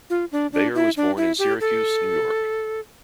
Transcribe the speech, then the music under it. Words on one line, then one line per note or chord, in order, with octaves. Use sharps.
Bayer was born in Syracuse, New York.
F4
D4
D4
E4
D4
E4
G4
A4